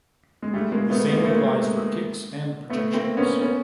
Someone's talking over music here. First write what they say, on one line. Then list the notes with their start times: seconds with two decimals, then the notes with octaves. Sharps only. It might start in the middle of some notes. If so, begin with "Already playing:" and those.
The same applies for kicks and projections.
0.42 G#3
0.53 G3 A3
0.72 G#3 A#3
0.90 A3 B3
1.08 B3
1.16 A#3
1.24 A3
1.33 G#3 A#3
2.70 A3 B3
2.94 A#3 C4
3.17 B3 C#4
3.41 B3 C#4